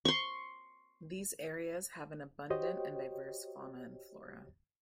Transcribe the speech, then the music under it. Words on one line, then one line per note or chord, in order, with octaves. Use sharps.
These areas have an abundant and diverse fauna and flora.
C6 C#6
F#4 G4 C5 C#5 D#5 G5